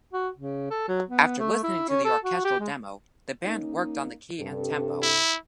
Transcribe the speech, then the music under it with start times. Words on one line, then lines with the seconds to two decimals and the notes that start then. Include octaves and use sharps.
After listening to the orchestral demo, the band worked on the key and tempo.
0.13 F#4
0.37 C#3
0.70 A4
0.88 F#3
1.10 B3
1.39 A3
1.63 E4
1.89 C#4
2.05 A4
2.24 F#4
2.44 G4
2.60 G#3
3.43 A#3 C#4 D#4
4.39 G2 C3 A4
5.02 E4